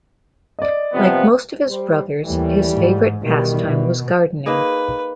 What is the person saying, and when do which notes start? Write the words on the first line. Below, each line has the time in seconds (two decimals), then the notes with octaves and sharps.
Like most of his brothers, his favorite pastime was gardening.
0.59 D5 D#5
0.93 C3 F3 B3
1.67 G3 C5
2.24 D#2 A2 E3 G3
2.72 G#2
3.23 B2 D#3 E3 G3
3.65 B2
4.46 A#3 D#4 G#4 B4